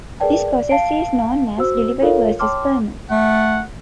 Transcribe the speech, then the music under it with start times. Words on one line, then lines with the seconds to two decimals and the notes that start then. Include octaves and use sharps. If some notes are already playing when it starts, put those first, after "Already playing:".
This process is known as delivery versus payment.
0.20 G#4 A#4 B4 D5 G5 A5
0.48 D5
0.69 F5 A5 C7 D7
1.58 F#4 C5 E6
2.02 F4 A4 A#4 C#5 F5
2.39 C#5 G5 A5 C6 D6 F6
3.11 A3 F#5